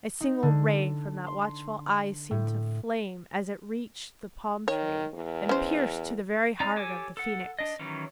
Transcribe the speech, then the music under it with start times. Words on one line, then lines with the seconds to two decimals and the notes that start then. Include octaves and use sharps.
A single ray from that watchful Eye seemed to flame as it reached the palm tree and pierced to the very heart of the Phoenix.
0.21 D#4
0.43 D3
1.27 C6
2.31 A2
4.68 D#3 C#5
5.14 E2
5.49 C#4 C5
6.60 C4 D#4 D5 A#5
6.76 G4 A4 C#5 G#5 D6
7.17 A4 F#5
7.59 D4 D#5
7.79 D#3 E3 F#3 C#4